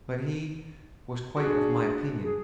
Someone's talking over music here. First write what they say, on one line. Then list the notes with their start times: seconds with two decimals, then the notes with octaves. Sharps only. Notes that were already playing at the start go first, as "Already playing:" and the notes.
But he was quite of my opinion.
1.37 D4 F#4 G#4
2.22 G#4